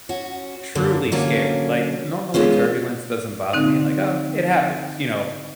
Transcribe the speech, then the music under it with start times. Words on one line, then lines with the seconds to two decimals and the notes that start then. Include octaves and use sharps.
truly scared. Like, normally turbulence doesn't bother me, like, "Oh, it happens," you know,
0.09 C#4 F#4
0.75 F#2 D3 A#3
1.12 D3 F#3 A#3 C#4
2.34 E3 G#3 B3 C#4 F4
3.53 D3 C4 D#4